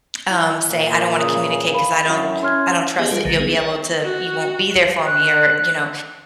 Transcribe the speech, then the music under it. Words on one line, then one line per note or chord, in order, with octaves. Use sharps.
um, say, "I don't wanna communicate 'cause I don't I don't trust that you'll be able to you won't be there for me," or you know,
E4
A#2
C#3 D#6
F5 B5
F#2 E4
C#4 C6 F6 G#6
B3 G4 G#4 D#5
G3 F4 G#4 B4
A#1 D3 D#3 F#3 G3
B3 D#4 G#4
C#5 D#5 F#5 A5
F#4
F#6